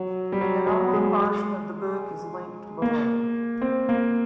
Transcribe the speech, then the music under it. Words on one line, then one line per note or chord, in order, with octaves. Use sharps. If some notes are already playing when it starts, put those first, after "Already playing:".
An online version of the book is linked below.
Already playing: F#3
G3
F#3
F#3
G#3
A#3
C4
A#3